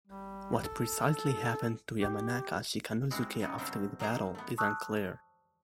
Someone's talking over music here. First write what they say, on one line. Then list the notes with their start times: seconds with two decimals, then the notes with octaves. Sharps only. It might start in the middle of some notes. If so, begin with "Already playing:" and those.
What precisely happened to Yamanaka Shikanosuke after the battle is unclear.
0.07 G3
0.64 A4
2.00 G4
3.11 G#3 C4 E4 F#4 G4
3.39 C#3 F#3 B3 D#4
3.58 B2 F#3 G3 C4 E5 G5
3.99 F#3 A#3 D#4 A#4 C5 A#5
4.35 A3 B3
4.58 A5 C#6 D#6 E6 F#6